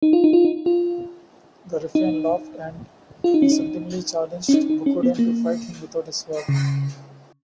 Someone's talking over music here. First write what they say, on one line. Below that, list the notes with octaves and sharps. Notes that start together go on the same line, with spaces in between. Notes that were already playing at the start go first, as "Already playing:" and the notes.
The ruffian laughed and insultingly challenged Bokuden to fight him without a sword.
D#4
F4
D#4
F4
D#4
F4
D#4
F4
D#4
C#4
D#4
C#4
D#4
D#4
C#4
B3
A#3
C#3